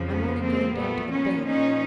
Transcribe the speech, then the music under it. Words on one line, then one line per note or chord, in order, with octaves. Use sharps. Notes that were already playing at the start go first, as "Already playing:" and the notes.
"I'm only going down to the bank."
Already playing: F2 C#3 F3
B3 C#4
A#3 C4
A#2 F3 A3 B3
B3 C#4
C#4 D#4